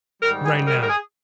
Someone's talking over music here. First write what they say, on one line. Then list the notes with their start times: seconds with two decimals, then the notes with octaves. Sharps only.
Right now.
0.21 G#2 D#3 G3 A#4
0.44 G#4
0.66 A#4
0.82 A#4
0.89 G#4